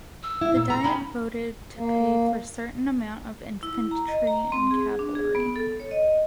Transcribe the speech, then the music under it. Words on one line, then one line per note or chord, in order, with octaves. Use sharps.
The Diet voted to pay for certain amount of infantry and cavalry.
E6
E4
A#2
A#5
C#4 D#4 G5 B5
A#3
E4
A#5
D#5
A#5
C4
G#4
D4
G#4
B3
A4
C#5
D#5